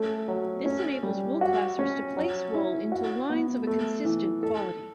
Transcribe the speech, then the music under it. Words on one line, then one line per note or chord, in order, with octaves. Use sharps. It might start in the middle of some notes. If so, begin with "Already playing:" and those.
This enables wool classers to place wool into lines of a consistent quality.
Already playing: A3 C#4
F#3
C#4
G3
F#4
C#4
F#3
E4
F#4
B3
A3
E3
A4